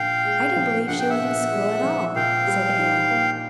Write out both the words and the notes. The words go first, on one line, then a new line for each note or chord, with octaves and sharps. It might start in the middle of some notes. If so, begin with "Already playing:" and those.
"I don't believe she was in school at all," said Anne.
Already playing: A#1 A#2 F5 G5
G#3
F3
A#1 F#5
G5
E5 F#5
A#2
G#3
F3
A#2 F5 G5
G3
D#4
A#3